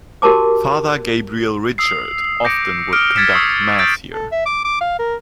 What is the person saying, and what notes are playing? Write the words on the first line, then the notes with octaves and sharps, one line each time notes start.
Father Gabriel Richard often would conduct Mass here.
F#4 G4 A#4 A5 D6
D#6 E6 C7
D6 G6 A#6 C#7 D7
D6 D#6 F6 C#7 D7
F6 G#6 A6 B6 C#7 E7
C#6 D#6 E6 B6 C7
E6 G6 A6 D7
A4
E5
D6
D6
F5
A#4